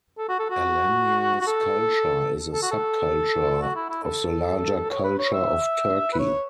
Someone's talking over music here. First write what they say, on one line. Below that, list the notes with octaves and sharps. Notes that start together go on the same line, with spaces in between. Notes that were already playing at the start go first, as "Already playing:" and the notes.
Alanya's culture is a subculture of the larger Culture of Turkey.
A4
F#4
A4
F#4
F#4
A4
A4
F#4
A4
F#4
E4
E4
A4
C#5
B4
C#5
E5
B4
C#5